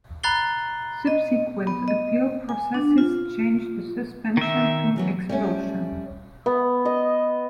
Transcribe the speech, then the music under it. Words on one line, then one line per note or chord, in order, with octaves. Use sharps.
Subsequent appeal processes changed the suspension to expulsion.
A#5 B5 F#6 A6 C7 G7
D#5
B3
D#5
G#5
D4
F4
D#3 E5
E3 F#3 B3
G3 A3 C#4
B3
D#5